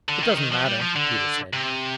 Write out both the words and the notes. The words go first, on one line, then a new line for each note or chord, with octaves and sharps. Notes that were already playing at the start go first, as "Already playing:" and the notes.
"It doesn't matter," Peter said.
D3
D#3
D#3
F3
G3
F3
D3
C3